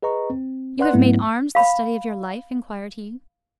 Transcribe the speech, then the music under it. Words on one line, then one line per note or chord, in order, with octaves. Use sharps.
"You have made arms the study of your life?" inquired he.
G#4 B4 D#5 A#5 C#6
C4
B4 D5 F#5 C6 F#6
G#2 F#3 A3 B3 C#4 E4
F5 B5